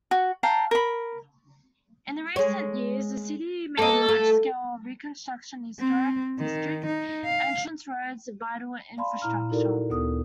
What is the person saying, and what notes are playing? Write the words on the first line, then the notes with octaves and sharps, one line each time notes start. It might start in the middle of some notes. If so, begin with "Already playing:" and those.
In recent years, the city made large-scale reconstruction historic district, entrance roads, vital infrastructure.
F#4
F5 G5 A5 A#5
A#4 B5
G#3 C#5
A#3 A4 D#5
A3
C4
D#3
D#4
F5
D5 F5 A5 B5 C6
A#2 E4 A#5 F6
D#4 E4 F#4 A4 A#4 D5
D2 B3 A4 D#6